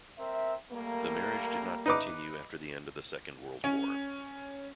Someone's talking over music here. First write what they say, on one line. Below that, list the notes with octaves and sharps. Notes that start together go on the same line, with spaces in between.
The marriage did not continue after the end of the Second World War.
C4 A#4 E5
G3 A3 A#3
D#4 B4 D6
C#4